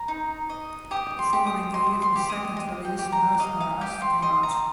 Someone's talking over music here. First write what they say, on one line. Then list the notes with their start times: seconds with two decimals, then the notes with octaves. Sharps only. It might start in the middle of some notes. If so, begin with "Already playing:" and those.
The following year the second release "Mesmerized" came out.
Already playing: A#5
0.08 D#4
0.49 D#5
0.91 G4 D#6
1.19 C6
1.33 G4
1.46 D#6
1.74 D#5 C6
2.02 C6
2.16 G4
2.30 D#6
2.57 D#5
2.85 G5
2.99 G4
3.12 A#5
3.40 D#5 F5
3.61 F5
3.81 G4 G5
4.02 C6
4.22 D#5 C6
4.43 A#5